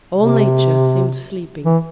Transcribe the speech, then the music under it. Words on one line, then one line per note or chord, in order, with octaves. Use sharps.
All nature seemed sleeping.
C3
E3